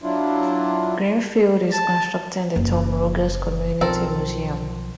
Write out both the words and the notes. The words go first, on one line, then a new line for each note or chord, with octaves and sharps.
Greenfield is constructing the Tom Rogers Community Museum.
F#3 D4 E4 F4
A5
F#1
B1 F3 C4 A4 A#4